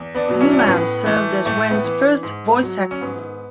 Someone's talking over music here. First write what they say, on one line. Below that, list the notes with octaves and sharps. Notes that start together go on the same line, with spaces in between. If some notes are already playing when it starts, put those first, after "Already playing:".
Mulan served as Wen's first voice-acting role.
Already playing: E2
B3 D4
B2 F#3
C#4 E4
D4
C#4
A2 B3
E3 A3
A2 A3
B3
E3
G#2
F#3
C#4
G#2 B3